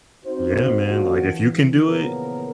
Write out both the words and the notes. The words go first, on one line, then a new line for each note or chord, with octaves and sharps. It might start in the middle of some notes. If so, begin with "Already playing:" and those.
Yeah, man. Like, if you can do it
C4 D#4 F#4 C5
D#3 A#3 D4 F4 F#4
E3
A#2 C#3 E3 F3 B3 A#4